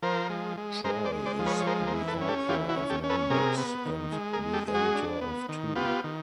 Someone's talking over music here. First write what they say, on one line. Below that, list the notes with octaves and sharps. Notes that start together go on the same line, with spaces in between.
Troy is the author of nine books, and the editor of two.
F3 A#4 C5
G#3
G#3
G#3 A#4 C5
C5 D5
G#3
C5 D5
F3
B4 C#5
C#5
G#3 A#4 C5
A#4 C5
E3
A4 B4
C#4
G4 A4
E3 F4 G4
E4 F#4
C#4
G4 A4
C#4
A4 B4
C3 G#4 A#4
B3
D#3
G#3
G#4 A#4
G#3
G4 A4
G#3
F#4 G#4
D4
B3
D#3
B3 F4 G4
D#3